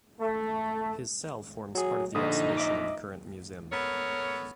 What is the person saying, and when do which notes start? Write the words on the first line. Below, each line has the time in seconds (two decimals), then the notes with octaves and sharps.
His cell forms part of the exhibition in the current museum.
0.20 A3
1.75 F#3 G#4
2.15 A#1 D3 D#4 D#6
2.57 D#5 E5 D6
3.71 B3 A4 A#4 C#5